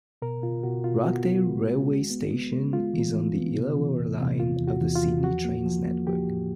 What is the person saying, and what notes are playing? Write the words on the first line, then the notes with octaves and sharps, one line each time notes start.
Rockdale railway station is on the Illawarra line of the Sydney Trains network.
B2 A#4
B2 F4
B2 F#4
B2 F4
B3 F#4
B3
G#3
B3
G#3
B3
B3
G#3
G#3 F4
E3
E3
B3
C3
E3
E2
C3
E2 F4
E2
F#4
E2
F4
E2
F3 F#4
A#3
F3
A#3
F3 G4
A2